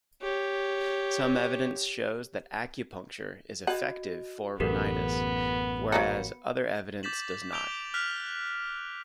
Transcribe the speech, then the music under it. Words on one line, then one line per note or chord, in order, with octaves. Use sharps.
Some evidence shows that acupuncture is effective for rhinitis, whereas other evidence does not.
G4 C#5
F#4 D#5 F#5
A1 F#2 E3 B3 G4 A4 A#4
F#3 A#3 F#4 C#7
D6 G6 A6 B6 E7 F#7
D6 G6 D7 F7 G7
F6 F#6 B6 F7